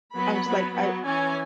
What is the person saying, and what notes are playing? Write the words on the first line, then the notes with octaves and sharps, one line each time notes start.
I was like, I
F#3 B3 B5
F#3 B3
F#3 B3
E3 C#4 G#5